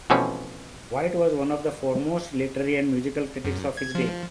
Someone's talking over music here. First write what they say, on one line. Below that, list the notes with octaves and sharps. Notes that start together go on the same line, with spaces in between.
White was one of the foremost literary and musical critics of his day.
B2 E3 F3 A3 C4 C#4
F#2
G#6
F3